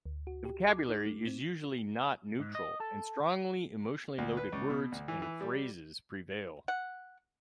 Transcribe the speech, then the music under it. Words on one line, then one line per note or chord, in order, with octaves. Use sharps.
The vocabulary is usually not neutral, and strongly emotionally loaded words and phrases prevail.
D2
F#4
G4
D6
D#4
A3
C4
G#2
D#5
A4
D2
B4
C#2
B2
D2
E3
E3
G3
F#5